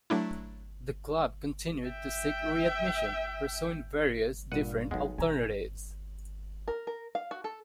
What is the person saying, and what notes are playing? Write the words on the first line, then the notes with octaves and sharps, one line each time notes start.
The club continued to seek readmission, pursuing various different alternatives.
F#3 A3 D4 E4
E5 G5
G2 A#2 F#5 D#7
B1 F#3 G#3 F#5
B2 D#3 G#5 A#5
A#4
A#4
F5
F#4
A4